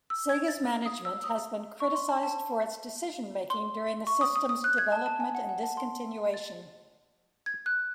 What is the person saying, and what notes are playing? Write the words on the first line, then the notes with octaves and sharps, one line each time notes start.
Sega's management has been criticized for its decision-making during the system's development and discontinuation.
E6
G#6
A6
D#6
E6
D#6
C#6
C6
A5
A5
C6
C#6
D#6
D#6
D#6
F#6
G#6
A5
A5
G#5
F#5
F#5
A5
C6
A6
G#6
F#6